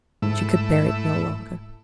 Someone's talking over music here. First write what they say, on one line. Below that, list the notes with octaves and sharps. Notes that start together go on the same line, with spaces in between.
She could bear it no longer.
G#2 A3 E4